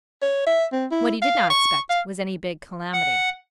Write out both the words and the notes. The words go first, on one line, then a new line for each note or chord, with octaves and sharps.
What he did not expect was any big calamity.
C#5
E5
C4
E4
F5
C#6
F5
F#5